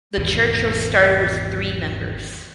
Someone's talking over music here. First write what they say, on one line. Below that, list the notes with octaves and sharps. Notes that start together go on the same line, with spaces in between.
The church was started with three members.
G#1 E2 B2 E3